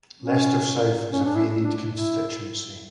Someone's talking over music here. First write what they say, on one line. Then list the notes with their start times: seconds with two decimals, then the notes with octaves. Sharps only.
Leicester South is a varied constituency.
0.22 C#4
1.13 C#4
1.24 D4
1.36 E4
1.64 D4
1.92 E4